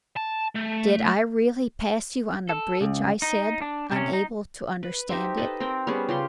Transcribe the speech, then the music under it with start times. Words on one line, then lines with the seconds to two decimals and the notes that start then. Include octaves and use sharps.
"Did I really pass you on the bridge?" I said, unable to understand it.
0.16 A5
0.55 A3
2.49 A4
2.81 C#2
3.22 D#4
3.61 D4
3.92 C3 C#4
4.13 D#4
4.83 B4
5.09 D#4 G4 C5 E5
5.37 A4 B4 D#5
5.60 C4 A#4 G5
5.87 G3 B3 C#4 G#4
6.09 C#3 F4 G4 C6